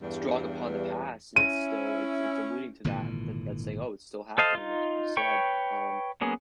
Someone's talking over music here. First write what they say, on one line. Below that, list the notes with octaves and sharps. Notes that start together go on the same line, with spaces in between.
it's drawing upon the past, and it's still, it's it's alluding to that that's saying, "Oh, it's still happening like you just said," um
E2 G2
C#4 E4 D#7
G#1 A#2 D3 E3
A4 C5 D#5 F5 A5
D#4 F4
B4 C#5 G5 C#6
F#3 A#3 B3 C#4 G#4